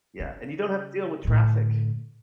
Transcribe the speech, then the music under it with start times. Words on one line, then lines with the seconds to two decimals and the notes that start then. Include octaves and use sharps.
Yeah, and you don't have to deal with traffic,
0.20 C#3
1.24 A2 D3